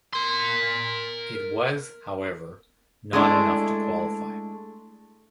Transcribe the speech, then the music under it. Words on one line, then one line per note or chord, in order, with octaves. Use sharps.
It was, however, not enough to qualify.
A#4 C6
G#3 A3 D4 E4